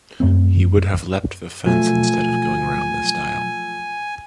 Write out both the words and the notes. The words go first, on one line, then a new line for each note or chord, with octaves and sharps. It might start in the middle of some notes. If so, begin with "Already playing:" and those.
He would have leaped the fence instead of going round the stile.
F#2 F#3 A3 C4
B2 F3 F#3 A3 G#5